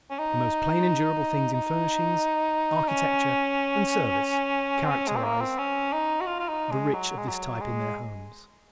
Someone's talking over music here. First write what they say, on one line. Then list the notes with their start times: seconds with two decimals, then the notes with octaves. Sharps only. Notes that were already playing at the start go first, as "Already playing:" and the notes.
The most plain and durable things in furnishings, architecture and service characterize the rich of this type in their homes.
0.10 C#4
0.19 D#4
1.54 D#4
2.89 C#4
4.85 C4
4.90 C#4
5.08 G#3
5.17 C4
5.24 A#3
5.41 C4
5.58 C#4
5.93 D#4
6.21 F#4
6.27 F4
6.40 F4
6.49 D#4
6.72 G#3
6.94 F#3
7.18 G#3
7.28 F#3
7.61 G#3